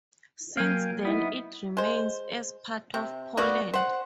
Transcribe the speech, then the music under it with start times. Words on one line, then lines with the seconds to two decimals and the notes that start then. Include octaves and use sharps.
Since then it remains as part of Poland.
0.57 F#3 A#3 A#4 F5 G5 G#5 D7
1.05 B3 D#4 E4
1.77 G#3 C5
2.94 C3
3.37 A#3 B3 F#4 D5
3.74 C5 F#5